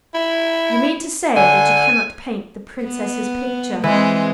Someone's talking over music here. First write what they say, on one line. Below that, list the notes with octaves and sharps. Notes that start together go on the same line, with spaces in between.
"You mean to say that you cannot paint the Princess's picture?"
E4
D3 G#5
B3
E3 G#3 C4